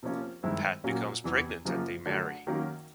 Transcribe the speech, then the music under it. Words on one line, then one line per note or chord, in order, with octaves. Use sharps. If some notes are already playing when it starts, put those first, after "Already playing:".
Pat becomes pregnant and they marry.
C3 F3 A#3 C#4
G2 D#3 G#3 C4 E4
A#2 F#3 A#3 C#4
E2 C3 E3
F#2 C#3 F3 A#3
D3 F#3 A3 D4
D#3 F#3 A#3 C#4